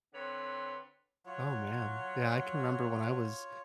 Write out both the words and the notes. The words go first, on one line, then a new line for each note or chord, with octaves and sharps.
Oh, man. Yeah, I can remember when I was,
D3 C4 B4 C#5 C6
F#3 F4 C#5